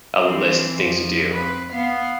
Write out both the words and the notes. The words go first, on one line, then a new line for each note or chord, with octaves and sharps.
a list of things to do,
E3 C4
F2 F3
C4 B4
B3 F5